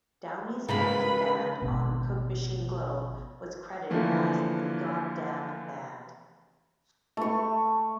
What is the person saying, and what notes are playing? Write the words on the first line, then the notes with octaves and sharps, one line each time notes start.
Downie's backing band on "Coke Machine Glow" was credited as "the Goddamned Band".
C#3 G#3 A#3 A#4 B4 B5
G#1 B2
D3 E3 F3 A3 A#3
A3 C#6